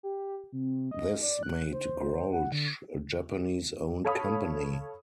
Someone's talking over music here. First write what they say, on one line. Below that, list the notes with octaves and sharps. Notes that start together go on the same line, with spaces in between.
This made Grolsch a Japanese owned company.
G4
C3
D#5
D5
F#6
C5
C5
F#5
D3
A4 C#5 F5 B5 D#6